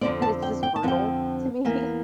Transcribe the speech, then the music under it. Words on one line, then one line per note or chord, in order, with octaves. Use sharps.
it's just brutal to me.
F2 D3 F3 C4 D5
A5
G5
G5
A5
F2 D3 F3 C4 G5
E2 E3 A#3